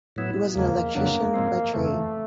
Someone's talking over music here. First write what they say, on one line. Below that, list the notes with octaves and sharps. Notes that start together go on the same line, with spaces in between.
He was an electrician by trade.
A2 F#3 B3 E4
E2 C#3 F3 G#3 A#3
F2 C#3 F#3 A#3 B3 D4
G#2 F3 G#3 C4
F2 C#3 E3 A3